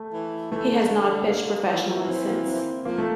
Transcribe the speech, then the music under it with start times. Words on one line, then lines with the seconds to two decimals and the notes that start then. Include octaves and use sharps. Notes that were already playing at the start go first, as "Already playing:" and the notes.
He has not pitched professionally since.
Already playing: A3
0.13 E3
0.52 E3 A3
0.71 D3
1.29 A#3
1.69 E3
1.82 F3
1.95 E3
2.08 C4
2.27 A#3
2.47 C4
2.85 F3 A#3
2.98 A3